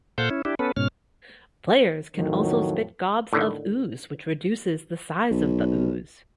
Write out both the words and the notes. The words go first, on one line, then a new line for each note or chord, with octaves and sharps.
Players can also spit gobs of ooze, which reduces the size of the ooze.
A#2 A4 C5 F5 F#5 G6
C#4 E4
D4 E4 G4
B3 C#4 A4 B4
G#2 B2 C#4 F6
F2 A2 D#3 F#3
A2 D3 D#3
B1